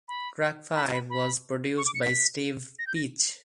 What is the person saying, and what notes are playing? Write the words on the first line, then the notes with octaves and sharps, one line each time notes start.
Track five was produced by Steve Peach.
B5
B5
B5
B5
C#6
D6
C#7
B6
A#6
G6
A#6